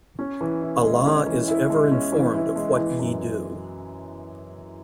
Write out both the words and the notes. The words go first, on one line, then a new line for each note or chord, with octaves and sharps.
Allah is ever Informed of what ye do.
C#4
E3
E4
G#3
C#4
E3
E4
G#3
C#4
E3
E4
G#3
E3
F#2